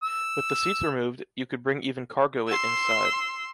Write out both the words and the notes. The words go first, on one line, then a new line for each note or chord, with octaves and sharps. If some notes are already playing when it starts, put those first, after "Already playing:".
With the seats removed, you could bring even cargo it inside.
E6
C6 E6